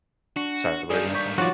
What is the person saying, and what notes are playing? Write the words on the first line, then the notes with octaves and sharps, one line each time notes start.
Sorry, what were you gonna say?
D4 F#4 C#6
G2 D#3 G#4 D5 G6
D5 C#6 G6 B6
F3 D#4 F4 F#4 C#5 D5